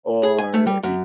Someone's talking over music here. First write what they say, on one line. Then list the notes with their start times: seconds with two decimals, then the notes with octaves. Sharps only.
Or y
0.23 G#4
0.38 G#5
0.54 A3
0.67 G3
0.83 F#2